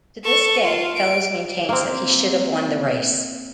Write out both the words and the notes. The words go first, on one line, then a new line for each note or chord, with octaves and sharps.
To this day Fellows maintains that he should have won the race.
A4 C#6
F4
D7
A#3 C4